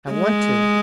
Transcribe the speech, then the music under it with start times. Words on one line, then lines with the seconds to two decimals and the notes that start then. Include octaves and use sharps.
"I want to."
0.12 G#3